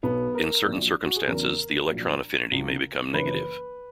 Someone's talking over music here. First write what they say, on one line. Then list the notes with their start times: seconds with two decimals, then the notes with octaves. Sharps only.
In certain circumstances, the electron affinity may become negative.
0.03 B1 B2 F#3 B3
0.34 A#4
0.65 A#1 A#2 F#3
1.05 F#4
1.16 G#4
1.27 E2 C#3 F#3 A#4
1.89 A#1 A#2 F#3
2.51 C#2 C#3 F#3
3.14 F#1 F#2 E3 B4